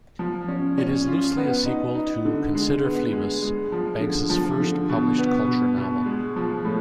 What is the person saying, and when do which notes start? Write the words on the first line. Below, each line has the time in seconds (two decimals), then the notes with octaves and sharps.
It is loosely a sequel to "Consider Phlebas", Banks's first published Culture novel.
0.19 F3
0.48 C#4
0.78 C#4
1.08 F4
1.37 B3
1.66 D#4
1.95 D#4
2.25 D3
2.55 G#3
2.84 B3
3.12 G#3
3.42 G#3
3.72 F3
4.00 D3
4.30 F3
4.60 D3
4.89 B2
5.18 B3
5.47 B2
5.77 B2
6.06 G#3
6.36 F3
6.65 A2